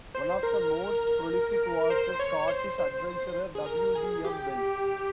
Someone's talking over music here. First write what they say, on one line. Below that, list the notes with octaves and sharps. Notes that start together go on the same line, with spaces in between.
One of the most prolific was the Scottish adventurer W. D. M. Bell.
C5
A#4
C5
C#5
C5
C5
C5
G#4
A#4
G#4
G4